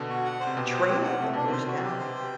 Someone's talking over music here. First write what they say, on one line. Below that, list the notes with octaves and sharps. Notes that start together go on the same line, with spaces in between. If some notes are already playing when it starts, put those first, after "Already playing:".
trail that goes down,
Already playing: B2 D3
F#4
F#5
C5
C3
B2 G4
C5
G4
F#5
C3 A3
B2 D4
C3 C5
F#4
G4
C5
G5